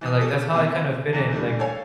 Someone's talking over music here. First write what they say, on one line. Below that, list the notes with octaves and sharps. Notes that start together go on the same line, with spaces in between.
and, like, that's how I kind of fit in, like,
E3 D#6
G4 A4
D#2 C3 E5
E2 E3
D3 E3 G3 A3
A4 C#5 F5 G#5